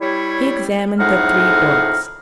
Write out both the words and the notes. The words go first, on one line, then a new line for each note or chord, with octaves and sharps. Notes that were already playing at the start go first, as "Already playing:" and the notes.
He examined the three books.
G3 E4 C#5
F2 A2 D#4 G#4 F#5 F6